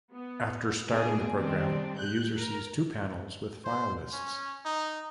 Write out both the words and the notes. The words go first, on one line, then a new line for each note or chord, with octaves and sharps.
After starting the program the user sees two panels with file lists.
B3
B2 G#3 D4 G#4
D#3 G3 G#3 C4 D4
F#6 G6
A#4
C5
C#4
D#4